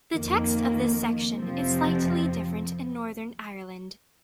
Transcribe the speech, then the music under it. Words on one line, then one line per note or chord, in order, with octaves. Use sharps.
The text of this section is slightly different in Northern Ireland.
F2 D#3 A#3
F2 C3 F3 C4